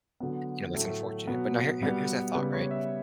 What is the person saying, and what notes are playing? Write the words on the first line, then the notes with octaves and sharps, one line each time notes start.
you know, that's unfortunate. But now here here here's a thought, right,
D3 F#3 B3
A2 F#3 A3
B2 F#3 B3
B2 G3 B3
C#3 G3 B3 B4
C#5
E5